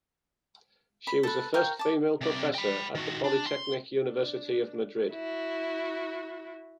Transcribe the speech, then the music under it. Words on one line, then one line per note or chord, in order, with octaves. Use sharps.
She was the first female professor at the Polytechnic University of Madrid.
B5
A4 B4
A#4 C#5 F5 G5
A5 D6
C3 D5
G5 B5
D#3 F#4
D4
C6
D4
E4 F#4